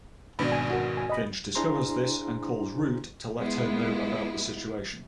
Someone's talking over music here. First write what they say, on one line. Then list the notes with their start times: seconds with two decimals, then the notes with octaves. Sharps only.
Finch discovers this and calls Root to let her know about the situation.
0.39 G#1 B2 D4 B4 B5
0.52 G#5
0.70 F#4 A#4
0.97 G#5
1.10 D#5 B5
1.55 D4 E4 G#4 C5 A#5 C6
3.38 G#3 B3 E4 F4